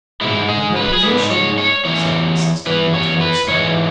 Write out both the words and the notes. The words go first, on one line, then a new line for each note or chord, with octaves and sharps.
"Remember her position," said Mrs. Dean to her son.
G#2 G#3 E4
G#4
B4
G#4
G#2 G#3 B4
C#5
C#5
E2 E3 C#5
E2 E3 B4
C#5
B4
G#2 E3 G#3 C#5